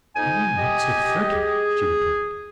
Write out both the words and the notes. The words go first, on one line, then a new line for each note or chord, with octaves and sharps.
"Why do you look so furtive?" she retorted.
F2 B3 D#4 G#5
G4 D#5
G#4